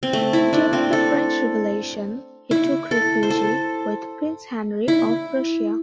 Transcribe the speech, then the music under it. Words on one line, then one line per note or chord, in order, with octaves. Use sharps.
During the French Revolution he took refuge with Prince Henry of Prussia.
C4
A3
E4
D4
C4
A4
E4
A4
C5
A4
E4